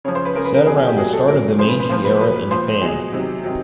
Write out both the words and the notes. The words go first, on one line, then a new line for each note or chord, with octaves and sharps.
Set around the start of the Meiji era in Japan.
C#3 F3 C#5
C5
B4
C#3 F3 A#4
B4
A#4
B2 F#3 G#4
G#4
G4
B2 F#3 G#4
A4
A#2 F#3 A#4
C#3 F3 C5
B4
B4
A#2 F3 C5
B4
A#2 F#3 B4
B4
A#2 F3 C5
B2 F#3 G#4
C3 D#3 F#3
C3 D#3 F#3